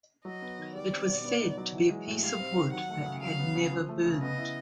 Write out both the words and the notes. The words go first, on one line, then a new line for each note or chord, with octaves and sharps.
It was said to be a piece of wood that had never burnt.
F#3 D#5
B3
D#3
G3 D5
C4
B2
B3
D#4
F#3
E3
G#3
A2
G3 F5
C4
D#3
F#3 F#5
A3
C#3
F#3 F5
B3
C#3
F3
A3
C#3
B3 D#5
E4